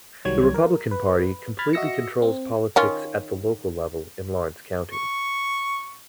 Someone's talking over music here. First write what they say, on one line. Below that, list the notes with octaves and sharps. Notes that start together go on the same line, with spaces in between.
The Republican Party completely controls politics at the local level in Lawrence County.
C2 D#3 F#3 G3 C#5 G#6
A#4
B4
B5 F6 G#6 A6
F#4 D#5 E5 E6 A#6 C#7
C4
D#3 C#4 F4
C#6